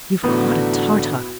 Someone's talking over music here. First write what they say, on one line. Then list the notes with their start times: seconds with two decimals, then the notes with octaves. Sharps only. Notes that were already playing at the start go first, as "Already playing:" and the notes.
'You've caught a Tartar.'
0.23 A1 A2 D3 B3 E4 F#4